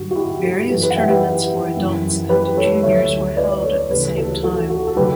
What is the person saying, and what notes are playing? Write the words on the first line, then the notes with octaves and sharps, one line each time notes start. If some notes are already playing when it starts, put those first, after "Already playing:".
Various tournaments for adults and juniors were held at the same time.
Already playing: G2 D3 F#3 F#4 G4
F#4
E4 G4
F#4 A4
F#2 E3 G4 B4
G4 B4
F#5
E5 G5
G4 B4
F#2 E3
G4 B4
A4 C#5
D2 D3 F#3 C#5 E5
B4 D5
A4 C#5
D2 C#3 E3 G4 B4
F#4 A4
F#4 A4
F#4 A4
A4
D3 F#3 G4 B4